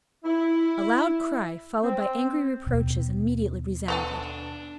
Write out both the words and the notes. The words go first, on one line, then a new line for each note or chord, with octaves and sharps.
A loud cry, followed by angry reproaches, immediately resounded.
E4
C4
D#2 B2
B3 D4 A4 G#5